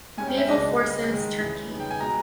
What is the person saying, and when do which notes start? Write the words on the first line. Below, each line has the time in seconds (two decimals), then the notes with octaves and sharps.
Naval Forces, Turkey.
0.18 G#2 G3 C#4 G#5
0.28 G5
0.38 E5
0.48 C#2 B2 G#3 D#5
0.79 C#3 G3 B3
1.09 G#2 D#3 G#3
1.40 C#2 C#3 E3
1.70 C#3 G3 B3 D#4
1.80 G5
1.91 G#5
2.01 B2 G#3 A#5